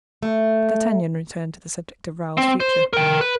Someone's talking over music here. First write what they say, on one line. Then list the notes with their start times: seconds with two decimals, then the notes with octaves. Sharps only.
D'Artagnan returned to the subject of Raoul's future.
0.23 A3
2.38 C4
2.60 C5
2.93 A#4 G5
3.21 B4